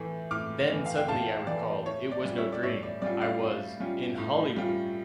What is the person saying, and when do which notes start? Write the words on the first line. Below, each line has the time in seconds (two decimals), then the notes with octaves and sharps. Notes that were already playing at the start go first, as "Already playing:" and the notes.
Then suddenly I recalled, it was no dream: I was... in Hollywood!
Already playing: A2 E3 A3
0.31 A2 D6 F6
0.69 E3 A3
0.86 F5
0.97 G5
1.08 A2 F5 A5
1.47 E3 A3 D5
1.85 A2 C#5
2.11 D5
2.25 G3 C#4 F4
2.38 C#5 E5
2.52 D5
2.63 A2 C#5 E5
2.83 D5
3.02 G3 C#4 F4 D5
3.21 D5 F5
3.41 A2
3.80 G3 C#4 F4
4.18 A2
4.56 G3 C#4 F4